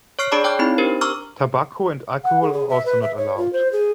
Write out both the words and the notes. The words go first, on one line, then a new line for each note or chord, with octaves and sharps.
Tobacco and alcohol are also not allowed.
C#5 C#6 F6 C7
D4 G#4 D5 A5 B5 D6
C#5 G5 D6 F6 G6
C4 D#4 E4 B5
D4 G4 A#4 C5
A#5 C#6 D6 E6 F6
F#5
G#4
G#4
E5
B4
E5
C#5
F4
C5
G#4